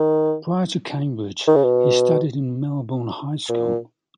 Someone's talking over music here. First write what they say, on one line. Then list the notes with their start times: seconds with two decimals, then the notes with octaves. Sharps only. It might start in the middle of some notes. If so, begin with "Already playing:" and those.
Prior to Cambridge he studied in Melbourne High School.
Already playing: D#3
1.47 D#3
1.56 C#3
1.64 B2
3.49 A#2